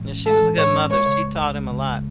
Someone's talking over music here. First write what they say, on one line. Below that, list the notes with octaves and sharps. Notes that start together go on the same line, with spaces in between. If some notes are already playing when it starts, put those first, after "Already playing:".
Yeah, she was a good mother, she taught him a lot.
Already playing: A2 E3 G#3
C#4
G#3 A4
E3
A2 C#5
C#4
G#3 C#5
C#3
C#2
C#2
G#3
C#3